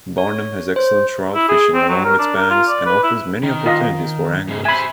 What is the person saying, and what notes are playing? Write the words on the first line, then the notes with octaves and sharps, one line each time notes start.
Barnum has excellent trout fishing along its banks and offers many opportunities for anglers.
C#5
C5
E4
G#4
C4
F#3
A#4
D4
A#4
F4
D5
B4
E4
D#3
F4 D#5
G#2 C#3
C5 E5 G#5 B5